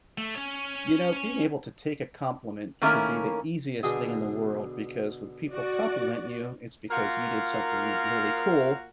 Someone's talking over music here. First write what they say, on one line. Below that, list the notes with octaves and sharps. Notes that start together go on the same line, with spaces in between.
You know, being able to take a compliment should be the easiest thing in the world because when people compliment you, it's because you did something really cool
A3
C#4 C#5
D#3 A3 A#3 C#4 E4 A#4
B2 D3 G#4
F#4 D5
A#3 F4 F#4 A#4